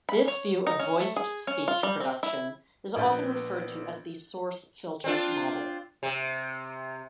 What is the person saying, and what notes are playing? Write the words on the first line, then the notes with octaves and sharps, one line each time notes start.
This view of voiced speech production is often referred to as the source-filter model.
B5
C#5
D#4
C#4
A3
G#4
C#4
F4
G3
C4
E4
A#1 B3 B4 G6 A6
C4 D4 F4
C3